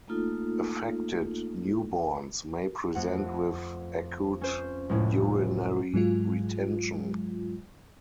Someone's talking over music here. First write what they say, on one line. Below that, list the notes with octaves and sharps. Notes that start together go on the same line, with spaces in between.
Affected newborns may present with acute urinary retention.
A3 A#3 D#4 F4 A4
F2 A3 F#5
C#4 C5
F1 C#2 A2
G#2 F#3 G#3 F4